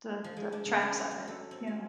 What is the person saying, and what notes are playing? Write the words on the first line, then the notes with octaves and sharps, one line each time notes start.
the the traps of it, you know?
F3
G#3
D4
C#3
D4
F4
F#3
A4
C4
F5